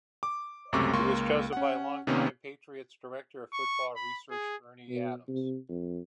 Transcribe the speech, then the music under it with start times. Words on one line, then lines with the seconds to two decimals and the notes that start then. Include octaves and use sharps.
He was chosen by long time Patriots director of football research Ernie Adams.
0.23 D6
0.72 C#2 F#2 C3 A3 C#6 D6
0.93 C#2 A#3 C6 C#6
1.53 C#4 F#5
2.07 C3 D#3 A#3 B3 C#4
3.53 C#6
3.96 B5
4.31 G#4
4.89 B2
5.28 C3
5.69 F2